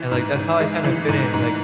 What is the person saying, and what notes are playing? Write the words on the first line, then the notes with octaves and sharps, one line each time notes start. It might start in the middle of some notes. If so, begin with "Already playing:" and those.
and, like, that's how I kind of fit in, like,
Already playing: E3
G#2
G#2
G#3
E3
G#2
G#2